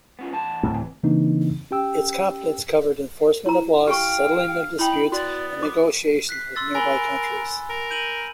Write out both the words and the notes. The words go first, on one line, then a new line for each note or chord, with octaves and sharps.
Its competence covered enforcement of laws, settling of disputes, and negotiations with nearby countries.
B3 C#4 F4
E2 F#5 A5
D1 A2 C4
E3
C#3 E3 A#3 C4 D4 D#4
C#4 G4 G5 E6
E4 A#5
G4 F5 G5 C#6
D#4 E4 G5 B5
B3 F#4 D5
D6
F#6 B6 C7
C6 E6 A6
A#4 G#5 B5 G7
A#4
G6 D#7 F#7